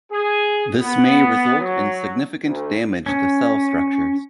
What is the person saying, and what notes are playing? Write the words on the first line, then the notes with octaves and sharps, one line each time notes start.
This may result in significant damage to cell structures.
G#4
B3
F#3
D2
C#4